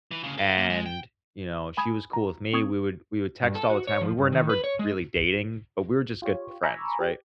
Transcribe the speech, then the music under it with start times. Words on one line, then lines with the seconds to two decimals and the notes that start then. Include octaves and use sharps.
and, you know, she was cool with me. We would we would text all the time. We were never really dating, but we were just good friends, right?
0.11 E3
0.24 D2 C#3
0.38 A4 F5
0.58 C#2 A#3
0.70 G#3
0.86 G5
1.77 G#5 B5 D#6 G#6
2.13 A#5
2.53 C4 C#6 D#6 G#6
3.43 G2
3.55 A4
3.70 F#4
3.87 C#5
4.01 F3
4.18 G2
4.33 D#3
4.49 B4
4.64 C#5
4.79 G#3
6.22 F4 G4 C#5
6.63 G#5 A#5 B5 C#6 D6 E6
7.00 G4